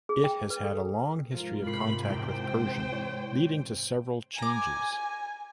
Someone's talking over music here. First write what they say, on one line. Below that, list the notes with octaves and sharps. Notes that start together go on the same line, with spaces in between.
It has had a long history of contact with Persian, leading to several changes.
G#4
G5
B4
A4
G#2 C3 F3 F4 A#4
A#2 B5 C7
E2 A#2 C5 G5
E3 C#5
G#5 A#5 D6